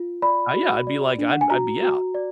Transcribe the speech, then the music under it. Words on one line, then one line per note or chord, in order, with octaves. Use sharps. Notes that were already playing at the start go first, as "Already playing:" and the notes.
Uh, yeah, I'd be like, "I'd I'd be out,"
Already playing: F4
D5 B5
F#4
D5
D4
F#5
G#5
F#4 A#5
F#4
D5